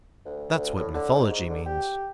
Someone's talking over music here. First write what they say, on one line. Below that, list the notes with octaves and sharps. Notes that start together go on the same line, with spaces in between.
That's what mythology means.
D2
D2
A2
D3
G#2
G#2
D3
G4